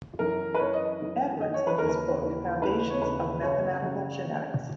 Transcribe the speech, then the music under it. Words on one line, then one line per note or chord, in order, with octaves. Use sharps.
Edwards in his book "Foundations of Mathematical Genetics".
F#2 E3 A#4
B4
F#2 E3 C#5
D#5
F#2 E3
F#2 E3 D#5
C#5
B4
D#2 C#3 E3 A#4
B4
D#2 C#3 E3
D#2 C#3 E3 B4
C#5
D#2 C#3 E3 B4
F#2 C#3 F#3 C#5
F#2 C#3 F#3